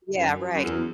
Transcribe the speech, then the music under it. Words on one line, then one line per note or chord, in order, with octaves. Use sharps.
Yeah, right.
F#2
F#2
E2